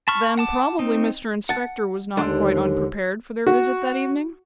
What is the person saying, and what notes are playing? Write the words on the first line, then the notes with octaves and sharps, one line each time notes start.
Then probably Mr Inspector was not quite unprepared for their visit that evening?
A5 B5 C#6 F6
F#5 A5 D6
C4 D#4
F#5 A5
D#2 D3 G#3 D4
F#4